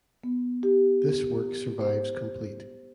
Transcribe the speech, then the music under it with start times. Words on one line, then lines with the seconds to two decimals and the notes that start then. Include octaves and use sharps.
This work survives complete.
0.24 B3
0.63 G4
1.81 C5